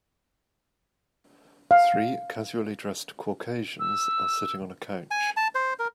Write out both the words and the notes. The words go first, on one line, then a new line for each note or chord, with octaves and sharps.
Three casually dressed Caucasians are sitting on a couch.
F5
E6
G#5
A5
C5
A#4